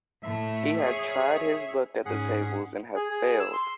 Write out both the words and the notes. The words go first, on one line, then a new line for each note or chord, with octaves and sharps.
He had tried his luck at the tables and had failed.
A2 A3 E5
G#4 C#5
G#2 C#4 G#4 F#5
G#4
G#4
E6
C6